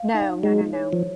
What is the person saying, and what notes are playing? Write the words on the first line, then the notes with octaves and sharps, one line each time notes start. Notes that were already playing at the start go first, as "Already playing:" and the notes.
No. No, no, no.
Already playing: F5
D#4
G#3 D#4
C#5
F3